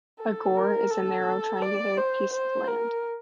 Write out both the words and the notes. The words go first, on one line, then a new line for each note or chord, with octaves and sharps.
A "gore" is a narrow, triangular piece of land.
A4
A#4
A4
D5
C5
C5
A#4